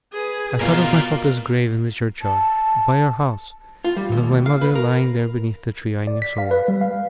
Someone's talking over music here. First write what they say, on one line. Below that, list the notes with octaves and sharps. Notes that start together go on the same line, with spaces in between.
I thought of my father's grave in the churchyard, by our house, and of my mother lying there beneath the tree I knew so well.
G#4 B4 G#5
B2 F4 A#4 D5 F5
A5
F4
G3
D#2
F5
B4
A#4
D5
B6
F5
B4
G3
F5